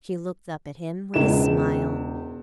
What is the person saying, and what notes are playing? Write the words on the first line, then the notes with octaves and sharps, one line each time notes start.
She looked up at him with a smile.
E1 C#2 E7